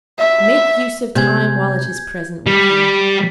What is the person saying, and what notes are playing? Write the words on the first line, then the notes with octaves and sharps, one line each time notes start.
Make use of time while it is present with you.
E5
C3 G#3 B3 G#5 G6 G#6
G3